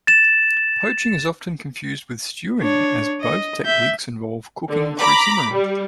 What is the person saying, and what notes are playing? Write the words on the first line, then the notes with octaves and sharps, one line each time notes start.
Poaching is often confused with stewing, as both techniques involve cooking through simmering.
A6 E7
D4 C#5
D#5
E5 G6
D3
A#5 B5 D6
G3